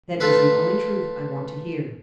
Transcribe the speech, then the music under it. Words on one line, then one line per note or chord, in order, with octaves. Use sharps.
"That is the only truth I want to hear."
A3 F4 A4 B4